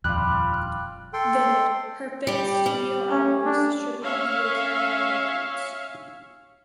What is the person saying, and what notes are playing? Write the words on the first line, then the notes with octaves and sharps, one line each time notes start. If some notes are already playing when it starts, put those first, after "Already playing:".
"Vivid", her fifth studio album was distributed via Caroline Records.
D#1 F2 G3 F4 F#6
A4 G5 C6
G3 G4
G3
C#4
D4
C#4 C#5 E5 F5